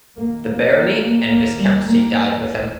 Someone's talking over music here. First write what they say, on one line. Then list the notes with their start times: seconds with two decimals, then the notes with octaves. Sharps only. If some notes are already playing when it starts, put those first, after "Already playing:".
The barony and viscountcy died with him.
0.17 D#2 A#3
0.45 A#3
0.73 A#3
1.01 A#3
1.29 D#2 A#3
1.58 G3
1.85 A#3
2.41 D#2